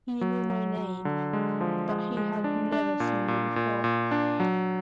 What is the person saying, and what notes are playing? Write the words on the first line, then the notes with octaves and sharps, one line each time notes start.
He knew my name, but he had never seen me before.
F#3
F#3
F#3
D3
G#3
F3
G#3
G#3
D4
D4
A#2
A#2
A#2
A#2
D4
F#3